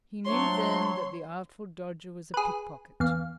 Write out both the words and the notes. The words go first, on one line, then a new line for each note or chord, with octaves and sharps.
He knew then that the Artful Dodger was a pickpocket.
F3 F#3 A3 D4 C#5 C6
G#4 B4
E2 F5